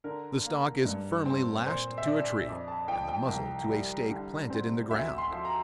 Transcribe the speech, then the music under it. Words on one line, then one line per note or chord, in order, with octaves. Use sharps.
The stock is firmly lashed to a tree, and the muzzle to a stake planted in the ground.
D3 A#4
A#3
G2
C4
A#2 C5
E5
D4 D5
F2 D5
A5
F3 G5
G5
C2
G3
D3
C4
D2 E5
C6
F3
A#5